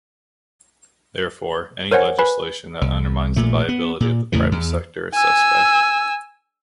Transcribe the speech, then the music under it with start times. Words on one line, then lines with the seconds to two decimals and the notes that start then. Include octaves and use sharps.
Therefore any legislation that undermines the viability of the private sector is suspect.
1.91 A#4 C5 C#5 F#5 G#5
2.19 B4 G#5 B5
2.81 C2
3.36 A#1 A#2 A3
3.69 B3
4.00 A#2
4.32 E2 A2 C#3 E3
4.52 E2
5.14 G#5 E6